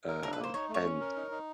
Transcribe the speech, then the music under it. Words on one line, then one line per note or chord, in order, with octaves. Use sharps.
Um, and
A#4
D4 A#4
B4
A#3
C5
D#4 C#5
A3
C#5
C#4
A#4
D#4
D#4